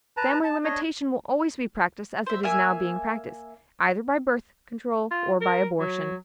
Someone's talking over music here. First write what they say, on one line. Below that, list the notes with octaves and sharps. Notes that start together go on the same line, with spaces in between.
Family limitation will always be practiced as it is now being practiced--either by birth control or by abortion.
B4 A5 A#5
A5
D4 C#5 D#5
C5 E5
A#3 E5 G#5
F4
A#4
F#3